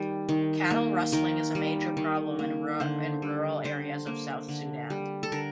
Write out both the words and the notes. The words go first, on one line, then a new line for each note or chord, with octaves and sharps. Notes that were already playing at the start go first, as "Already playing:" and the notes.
Cattle rustling is a major problem in rural areas of South Sudan.
Already playing: D#3 G3
D#3
A#3
D#3 A#4
G3
D#3
A#3
D3 C5
G3
D3 C5
A#3
D3
G3
A4
D3 A#4